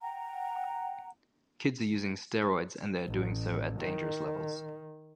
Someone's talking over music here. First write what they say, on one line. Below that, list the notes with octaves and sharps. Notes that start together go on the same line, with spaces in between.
Kids are using steroids and they are doing so at dangerous levels.
F#5 G5 A#5
A1
D#3